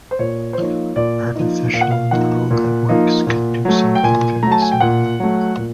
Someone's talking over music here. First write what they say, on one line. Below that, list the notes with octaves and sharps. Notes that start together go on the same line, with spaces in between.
Artificial neural networks can do something very similar.
C5
A#2 C#5
C5
F3 A#3 D#4 C#5
A#2 D5
F3 A#3 D#4
A#2 F5
F#5
F5
F3 A#3 D#4 F#5
A#2
F3 A#3 D#4
A#2
F#3 A3
G5
A#2 G#5
F#3 A3 A#5
A5
G#5
G5
A#2 F#5
F#3 A3
A#2